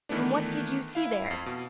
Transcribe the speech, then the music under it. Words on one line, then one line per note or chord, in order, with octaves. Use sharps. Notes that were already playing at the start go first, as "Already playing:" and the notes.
'And what did you see there?'
D#3 E3 A3 B3 D4
E4 F5
F2 C7
B2